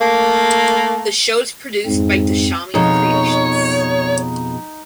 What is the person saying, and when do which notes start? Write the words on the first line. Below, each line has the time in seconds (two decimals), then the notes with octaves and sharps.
The show is produced by Dashami Creations.
0.01 A3 A#3
1.86 F2 G#2 C4
2.75 F2 B2 G#3 D#4 C#5